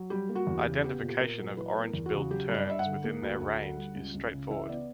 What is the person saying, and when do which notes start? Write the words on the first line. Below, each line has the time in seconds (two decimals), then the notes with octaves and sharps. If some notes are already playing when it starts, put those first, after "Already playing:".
Identification of orange-billed terns within their range is straightforward.
Already playing: F#3
0.10 G3 G4
0.29 A#3
0.35 F#4
0.47 E2
0.59 G4
0.66 C#3
0.84 B3 G4
1.02 A#2
1.09 G4
1.20 A#2 A#4
1.39 F#3
1.57 E3 B4
1.76 B3
1.81 A#4
1.94 E2
2.06 F#4
2.12 C#3
2.30 F#3 G4
2.49 G2
2.54 D5
2.67 G2 E5
2.79 F#5
2.85 D3
3.04 A#3
3.22 D2
3.40 D2
3.58 D3
3.77 G3
3.96 C#2
4.14 C#2
4.32 C#3
4.50 E3 E5
4.69 B3 D5